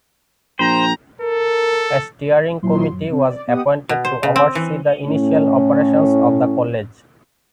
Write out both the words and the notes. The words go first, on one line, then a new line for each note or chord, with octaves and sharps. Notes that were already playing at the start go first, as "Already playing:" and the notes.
A steering committee was appointed to oversee the initial operations of the College.
A#1 C5 G5 A#5
A4 A#4
G#1 A#2 F3 F#3 E4 C6
F#2
C3 C4
D5
B3 G4 D#5 F#5 D#6
B2
C5
C#3
C4
E3
A2 C#4